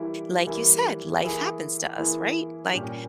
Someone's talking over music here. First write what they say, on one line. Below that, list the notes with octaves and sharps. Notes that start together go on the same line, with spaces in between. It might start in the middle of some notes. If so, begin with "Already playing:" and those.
like you said, life happens to us, right? Like
Already playing: E3 G3 A#3 E4
E3 G3 A#3 E4
E3 A#3 E4 G#4
E3 A#3 E4 G#4
A#2 G3 C#4 G4